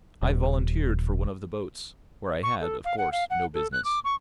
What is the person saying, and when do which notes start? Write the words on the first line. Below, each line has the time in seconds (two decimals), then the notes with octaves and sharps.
I volunteered for one of the boats, where I had, of course, no business.
0.22 D#1
2.43 C#6
2.61 A4
2.85 F5
2.98 F#5
3.12 F5
3.30 F#5
3.54 A4
3.72 F#6
3.85 D6
4.05 C#6